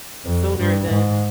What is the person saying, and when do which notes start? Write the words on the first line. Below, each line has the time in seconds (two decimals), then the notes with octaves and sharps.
sooner than
0.25 F2
0.58 G2
0.90 G#2